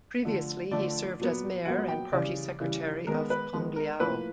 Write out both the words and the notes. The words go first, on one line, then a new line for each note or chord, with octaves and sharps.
Previously he served as mayor and party secretary of Tongliao.
D3 F3 A3
D3 F3 A3 D5
A#2 F#3 B3
A#2 F#3 B3 F#5
G5
C#3 E3 G3 D5
C#3 E3 G3
D#3 G#3 B3 A#4
B4
D#3 G#3 B3
A#4
A2 F3 A#3 B4